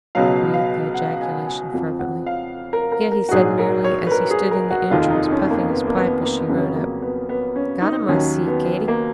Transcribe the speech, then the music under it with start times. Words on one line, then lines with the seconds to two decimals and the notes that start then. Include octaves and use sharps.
He breathed the ejaculation fervently, yet he said merely as he stood in the entrance puffing his pipe as she rode up, "Got 'em, I see, Katie!"
0.15 C#2 B2 F#3 F5
0.54 F5
0.94 F#5
1.21 G#5
1.46 G#5
1.74 F2 F3
1.99 F#5
2.26 F5
2.73 A#4
2.92 A#4
3.12 A#4
3.29 F#4
3.31 A#1 G#2 F#3 G#4
3.59 A#4
3.84 C#5
4.07 B4
4.11 A#4
4.31 G#4
4.51 A#4
4.71 F#4
4.90 F1 D#2 D#3 F4
5.10 D#4
5.31 C#4
5.50 A#3
5.70 B3
5.87 A#3
5.97 B3
6.23 A#3
6.49 F2 C#3 F#3 B3
6.58 C#4
6.65 B3
6.76 A#3
7.02 B3
7.29 B3
7.56 C#4
7.82 D#4
8.08 D#2 D#3 F#3 C#4
8.47 B3
8.88 A#3